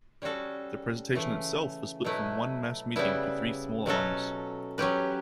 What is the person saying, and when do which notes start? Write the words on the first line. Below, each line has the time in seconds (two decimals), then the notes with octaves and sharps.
The presentation itself was split from one mass meeting to three smaller ones.
0.22 G3 C#4 F#4 A4
1.13 C#3 E3 A3
2.05 B2 F#3 A3 E4 B4
2.96 C#3 G3 B3 E4
3.86 B2 F#3 C#4 F#4 A4
4.78 F#3 C#4 G4 B4